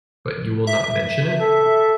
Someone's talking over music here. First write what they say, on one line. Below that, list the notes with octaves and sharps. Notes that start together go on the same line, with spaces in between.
But you will not mention it?
E5
A4